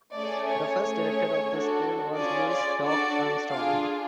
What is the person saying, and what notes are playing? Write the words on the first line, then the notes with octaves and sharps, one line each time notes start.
The first director of the school was Louis "Doc" Armstrong.
A3 C#4 G#4 D5
C#5
A3 C#4 G#4 C#5
D4 F#4 A4
C#4 F4 G#4 D5
D5
D4 F#4 A4 D5
D4 F4 G#4 F5